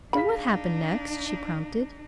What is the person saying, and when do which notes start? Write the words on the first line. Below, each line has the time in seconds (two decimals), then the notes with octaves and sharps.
"And what happened next?" she prompted.
0.13 D4 D#4 G#4 F5 B5 B6